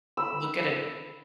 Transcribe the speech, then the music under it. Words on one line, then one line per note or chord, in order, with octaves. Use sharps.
look at it
B5 E6